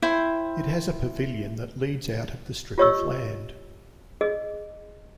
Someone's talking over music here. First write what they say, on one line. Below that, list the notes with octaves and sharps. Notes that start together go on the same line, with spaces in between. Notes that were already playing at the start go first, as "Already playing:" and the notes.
It has a pavilion that leads out of the strip of land.
E4 C5 G5
F4 G4 C#5 D#5 C#6 E6
G#4 D#5